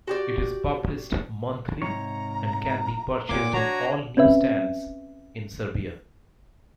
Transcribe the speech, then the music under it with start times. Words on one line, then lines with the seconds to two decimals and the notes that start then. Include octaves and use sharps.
It is published monthly and can be purchased in all newsstands in Serbia.
0.07 F#4 G4 D5
1.82 G#2 C3 C#5 A#5
3.29 A#2 A#3 C#5 F#5 D6
3.53 D4 F#4 C#5 A#5
4.17 C4 C#4 B4 E5